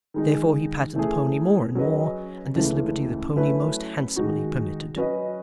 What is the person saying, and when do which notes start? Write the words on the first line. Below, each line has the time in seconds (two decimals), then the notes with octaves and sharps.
Therefore he patted the pony more and more; and this liberty the pony most handsomely permitted.
0.14 D#3 G#3 D#4
0.95 E3 A3 C#4 G#4
1.75 F#3 C#4 G#4 B4 D#5
2.55 C#2 C#3 E3 A3
3.36 F#3 A3 C#4 E4 B4
4.16 D#3 G#3 D#4 F#4
4.96 F#3 C#4 F#4 B4 D#5